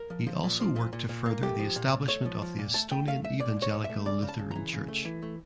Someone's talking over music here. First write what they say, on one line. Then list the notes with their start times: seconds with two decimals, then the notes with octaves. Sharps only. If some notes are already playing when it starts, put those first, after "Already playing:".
He also worked to further the establishment of the Estonian Evangelical Lutheran Church.
Already playing: A#4
0.10 F3
0.27 F3
0.43 A#2
0.60 F3
0.76 A#2
0.93 A#2
1.09 A#2
1.26 A#3
1.43 A3 G4
1.59 F3
1.76 A#2
1.92 A#2
2.08 A3 C#5
2.25 F3
2.42 F3
2.58 A#2
2.74 A3 A5
2.91 A3 G5
3.07 A3 F5
3.24 A3 E5
3.40 A#2 D5
3.56 A#2
3.62 C#5
3.74 A#2
3.84 E5
3.89 A3
4.06 C#3 D5
4.22 C#3
4.29 A5
4.39 C#3
4.51 E3 A#5
4.73 C#3
4.88 A3
5.05 E3
5.22 A3